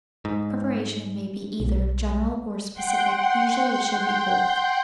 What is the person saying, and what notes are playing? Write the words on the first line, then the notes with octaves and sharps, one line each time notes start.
Preparation may be either general or specific; usually it should be both.
G#2
B1
F#5 G5 C6 G6